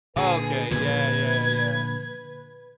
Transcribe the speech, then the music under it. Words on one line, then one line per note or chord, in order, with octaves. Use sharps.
Okay, yeah, yeah, yeah.
A#2 D3 G#4 B4
A#2 D3 F3 G#6